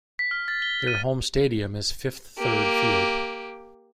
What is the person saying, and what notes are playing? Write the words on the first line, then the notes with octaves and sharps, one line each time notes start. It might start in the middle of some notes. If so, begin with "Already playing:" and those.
Their home stadium is Fifth Third Field.
B6
F6
A6
G7
D#7
A#3 G4